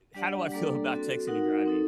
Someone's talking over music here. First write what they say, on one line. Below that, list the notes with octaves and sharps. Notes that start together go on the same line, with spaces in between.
how do I feel about texting and driving?
G3 D4 G4 D5 F#5
G3 A#3 D4 A4 D5
C4 F#4 A4
D#4 F#4 A#4 F#5
C4 D#4 A4